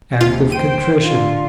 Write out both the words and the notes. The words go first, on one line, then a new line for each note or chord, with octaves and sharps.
Act of Contrition.
D#2 C3 F4
C5 G5 D#7
D3 F4